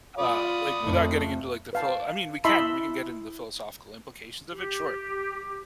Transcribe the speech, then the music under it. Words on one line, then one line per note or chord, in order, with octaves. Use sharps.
uh, like, without getting into, like, the philo I mean, we can we can get into the philosophical implications of it, sure,
F4 D5 B5 D#6
F2 A3
B4 F5 A5
E4 D#5 E5 A5 B5 C6
G4